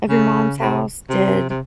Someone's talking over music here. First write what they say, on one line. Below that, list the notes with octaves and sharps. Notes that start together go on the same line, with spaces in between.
of your mom's house, did
C#3
C3
C3
C3